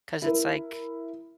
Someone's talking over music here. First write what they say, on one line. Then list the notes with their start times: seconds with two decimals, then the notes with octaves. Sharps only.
'Cause it's like
0.22 E4 A#4